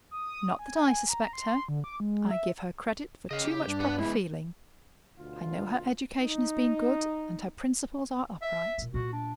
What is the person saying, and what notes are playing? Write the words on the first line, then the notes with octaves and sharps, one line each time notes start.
Not that I suspect her--I give her credit for too much proper feeling: I know her education has been good, and her principles are upright.
D#6
G#5
A#5
C6
D3
D6
G#3
E5
C#3 D#5 F5
G4
G2 D4
B4 F#5
G#3 B3 E4
D2 B2 F4
D#4
E5
A#2 D#3
A#2 A3 F#4
D4